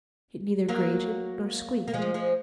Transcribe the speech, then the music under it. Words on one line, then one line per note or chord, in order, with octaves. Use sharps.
It neither grated nor squeaked.
F#3 A#3
A#3
F3 G#3
F3 G#3